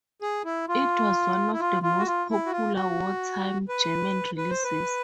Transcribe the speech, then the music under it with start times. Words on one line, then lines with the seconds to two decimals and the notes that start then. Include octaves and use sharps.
It was one of the most popular wartime German releases.
0.22 G#4
0.45 E4
0.69 F4
1.53 E4
1.60 F4
1.83 F4
1.99 F#4
2.06 F4
2.30 E4
2.46 F#4
2.52 F4
2.75 F#4
3.68 B4
4.37 B4
4.50 C5
4.64 B4